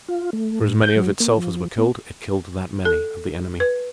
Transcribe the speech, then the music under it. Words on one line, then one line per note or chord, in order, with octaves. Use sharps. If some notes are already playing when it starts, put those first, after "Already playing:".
For as many of itself as were killed, it killed that many of the enemy.
F4
A3
A2
G6
F#3
A#3
F3
B3
A4
B4